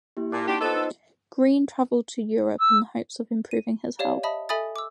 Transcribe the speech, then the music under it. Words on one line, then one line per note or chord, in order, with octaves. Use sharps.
Greene traveled to Europe in the hopes of improving his health.
A#3 E4 G4
A#2 A5 D6
D4 D#4 F#4 G4 A5 C6
B3 F4 A4 C5 D#5
D#4 D#5
E6
D#7
G4 C#5 D5 F5
D#5 E5 A5 B5 D#6
A4 E5 G#5 B5 D#6 A6
D6 E6